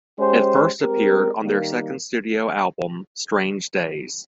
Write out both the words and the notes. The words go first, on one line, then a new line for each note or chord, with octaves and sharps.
It first appeared on their second studio album "Strange Days".
G#3 C#4 G4 C5
G#3 C4 G4 A#4
D#3 G3 A#3